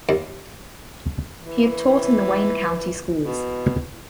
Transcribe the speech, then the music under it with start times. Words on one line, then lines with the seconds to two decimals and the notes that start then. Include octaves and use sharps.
He had taught in the Wayne County schools.
0.09 D#2
1.39 E3
3.18 B2